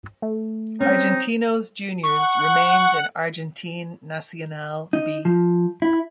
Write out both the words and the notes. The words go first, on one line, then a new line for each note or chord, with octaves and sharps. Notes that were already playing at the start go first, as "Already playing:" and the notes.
Argentinos Juniors remains in Argentine Nacional B.
A3
C4 C#4 D#4
F#5 C#6
D#4
F3
E4